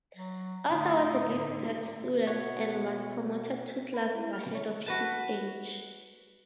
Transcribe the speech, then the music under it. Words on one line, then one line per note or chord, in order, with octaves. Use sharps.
Arthur was a gifted student and was promoted two classes ahead of his age.
F#3
A2 D3 D#4
B2 C#5 F#5
B4
E4
F6
C#5
F#4 B4 A5